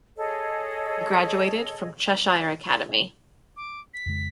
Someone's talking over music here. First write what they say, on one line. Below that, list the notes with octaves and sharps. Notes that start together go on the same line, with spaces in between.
He graduated from Cheshire Academy.
G#4 A4 C#5 D#5
D6
B6
F2 C#3 G#3